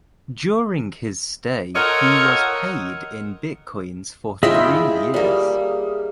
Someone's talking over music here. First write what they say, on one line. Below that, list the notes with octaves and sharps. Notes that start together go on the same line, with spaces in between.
During his stay he was paid in bitcoins for three years.
F4 A4 A#4 C#5 D#5 F#5
E4 F4 G#4 D#5 E5 G5
G3 A#3